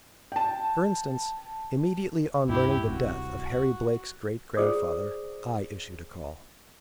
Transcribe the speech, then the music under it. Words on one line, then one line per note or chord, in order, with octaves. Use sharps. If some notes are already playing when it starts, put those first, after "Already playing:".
For instance, immediately on learning the death of Harry Blake's great-grandfather, I issued a call.
G5 A5
D2 G2 D4 E4 G4
D1 C2 C4 F#4
F4 G#4 C5 D5 D6 D#6